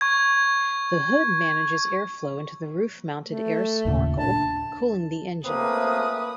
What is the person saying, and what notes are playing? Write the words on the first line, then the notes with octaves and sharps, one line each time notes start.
The hood manages airflow into the roof mounted air snorkel cooling the engine.
C#6 G#6
A3
D#2 A#2 C#3
D4 A5
F#2 A3 A#3 C4 B4 D#6